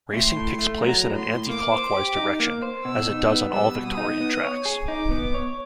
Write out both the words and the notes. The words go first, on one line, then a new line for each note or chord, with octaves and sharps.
Racing takes place in an anti-clockwise direction, as it does on all Victorian tracks.
A2 C6
A2
A3
F#3 A#5
A2
C6
A2
A#3 D6
C5
G4
D#4
A#3
C5
B2 E6
D#4
B3
G3 E6
B2
D#6
D#4
B3
C#5
G#4
D#4 D6
B3
C#5